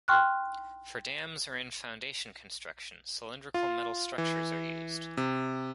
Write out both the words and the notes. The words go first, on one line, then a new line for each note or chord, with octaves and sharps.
For dams or in foundation construction, cylindrical metal structures are used.
G5 C6 C#6 F6 F#6
F4
E3
C3